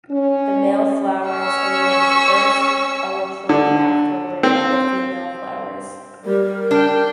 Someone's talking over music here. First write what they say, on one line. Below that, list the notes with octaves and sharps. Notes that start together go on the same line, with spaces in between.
The male flowers emerge first, followed shortly afterward by the female flowers.
C#4
C#4 C#6 E6
D3
C4
G3 A#4
D4 G5